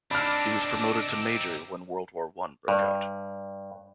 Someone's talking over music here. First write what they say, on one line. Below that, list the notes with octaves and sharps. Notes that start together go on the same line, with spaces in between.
He was promoted to Major when World War One broke out.
C4 D4 D#4 B5 D6 E6 F6
G2